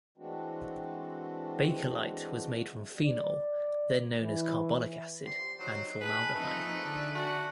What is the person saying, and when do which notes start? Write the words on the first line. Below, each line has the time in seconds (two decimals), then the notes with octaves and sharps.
Bakelite was made from phenol, then known as carbolic acid, and formaldehyde.
0.18 E3 G#3 A3 C4 D4 F#4
2.98 D5
4.21 E3
5.26 G4 C5 D5 C6
5.59 F#3 D#4 C5 E6
6.01 G#4 A4 B4 D#5 B5
6.35 F3 A3 C4 D#4 B4
6.83 D3 D4 D5 G#5
7.15 F#4 A5